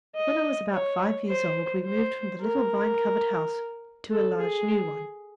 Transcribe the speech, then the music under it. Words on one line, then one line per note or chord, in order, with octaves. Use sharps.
When I was about five years old we moved from the little vine-covered house to a large new one.
D#5
C#5
C5
C5
A#4
A4
G#4